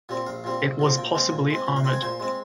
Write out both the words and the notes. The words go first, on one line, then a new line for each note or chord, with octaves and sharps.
It was possibly armoured.
A#2 G3 C4
A#1 F5
A#2 G3 C4
A#1
A#2 G3 C4
A#2 G5
G#3 C4
A#2
G#3 C4
A#2
F5
G#3 C4 G5
G#5
A#2 C5
G#3 C4